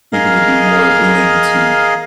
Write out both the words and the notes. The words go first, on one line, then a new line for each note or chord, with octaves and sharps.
people would be more willing to,
G#4 A#4 D#5 F5